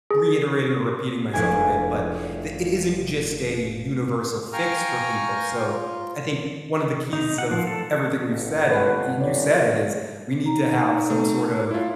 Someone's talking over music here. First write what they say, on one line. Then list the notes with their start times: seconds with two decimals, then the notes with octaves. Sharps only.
reiterating or repeating myself a bit, but the it isn't just a universal fix for people. So, I think one of the keys of everything we've said, and y you said it, is we need to have some sort of
0.11 G#4
1.33 F1 D4 E4 G#4 B4 G#5
4.53 F5 G5 G#5 A#5 C#6 F6
5.53 F4
7.13 D#4
7.38 F#5
7.51 F3
7.67 A4
8.31 A1
8.71 G1 B4 F#5 A5
9.20 G1 C#5 D5
10.44 D#4 A#5
11.10 A3
11.71 E4 F4